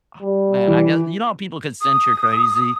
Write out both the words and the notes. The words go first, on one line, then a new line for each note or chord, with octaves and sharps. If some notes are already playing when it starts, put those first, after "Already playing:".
ah man, I gue You know how people can sense you're crazy?
G3
E3
D#6